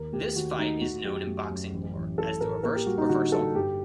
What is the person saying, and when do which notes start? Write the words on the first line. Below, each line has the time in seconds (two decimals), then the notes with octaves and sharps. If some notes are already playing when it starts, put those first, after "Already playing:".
This fight is known in boxing lore as The reversed reversal.
Already playing: D#2 A#4
0.13 A3 G4
0.36 D#2 F#4
0.58 A3 D#4
0.81 A3 F#4
1.04 F#2 G4
1.27 A3
1.50 F#2
1.72 A1
1.95 A1
2.18 A2 A4
2.41 A2 A#4
2.63 A#3 A#4
2.75 G4
2.86 G3 F#4
2.98 D#4
3.09 D3 F#4
3.32 G3 A4
3.55 G2 G4